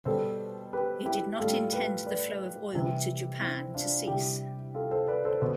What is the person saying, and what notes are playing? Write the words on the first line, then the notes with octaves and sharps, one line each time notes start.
He did not intend the flow of oil to Japan to cease.
B2 G3 A4 C5
G4 B4
E4 G4
A2 G3 F4 A4
G4 B4
B4 D5
C3 E3 G3
C4 E4
D4 F4
C3 G3 E4 G4
F4 A4
A4 C5
B4 D5
A4 C5
B2 C5